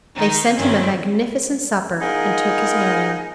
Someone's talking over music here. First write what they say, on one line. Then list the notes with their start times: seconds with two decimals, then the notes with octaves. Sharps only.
They sent him a magnificent supper, and took his million.
0.17 D#3 D#4
0.56 G2 D#3 C4 C#4 E4
2.00 B3 D#4 F4 G#4 A#4